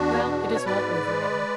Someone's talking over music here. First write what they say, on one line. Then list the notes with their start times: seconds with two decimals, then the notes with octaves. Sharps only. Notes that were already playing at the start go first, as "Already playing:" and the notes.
Well, it is all over now.
Already playing: E2 D4 F#4
0.25 B2
0.55 C#5
0.65 G#2 B4 D5
1.06 G#3